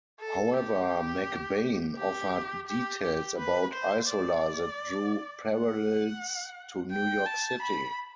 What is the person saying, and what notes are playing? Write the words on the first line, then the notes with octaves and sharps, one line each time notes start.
However, McBain offered details about Isola that drew parallels to New York City.
A4
G4
G4
G4
G4
B4
C5
D5
F#5
G5
A5
B5